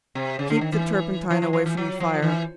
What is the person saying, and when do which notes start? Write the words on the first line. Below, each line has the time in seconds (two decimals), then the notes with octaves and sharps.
Keep the turpentine away from the fire.
0.15 C3
0.39 C#3
0.50 D3
0.61 D#3
0.72 E3
1.30 F3
1.42 F3
1.53 F3
1.66 E3
1.77 F#3
2.00 F3
2.22 E3